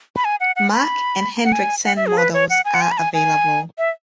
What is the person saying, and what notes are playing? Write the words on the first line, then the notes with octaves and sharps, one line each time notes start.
Mack and Hendrickson models are available.
B5
G#5
F#5
F#5
B5
F#5
G#5
F#5
E5
G#4
B4
C#5
F#5
G#5
F#5
G#5
B5
G#5
G#5
E5